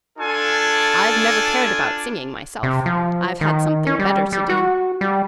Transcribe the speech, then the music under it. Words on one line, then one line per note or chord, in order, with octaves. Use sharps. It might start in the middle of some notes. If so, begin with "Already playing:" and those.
I've never cared about singing myself; I've had something better to do.
D4 F4 A4 G#5
C3
F3
D#3
C#4
G3
G3
F#4
G3